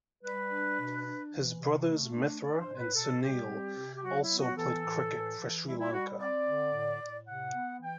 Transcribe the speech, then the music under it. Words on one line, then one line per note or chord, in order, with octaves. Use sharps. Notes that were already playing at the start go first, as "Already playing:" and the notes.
His brothers Mithra and Sunil also played cricket for Sri Lanka.
G3 B4
D4
B2
D4
E3
C3
A3
D4
D4 D5
C5
A2
B4
B2 A4
G3 G4
C4
C3
G4
F#3 F#4
E4
B3
F#4
E3 A4
A2
E3
E3
G3 E4
E4
G3 F#4
C4 D5
D3
A2
A2
C3 F#5
B3
E3 G5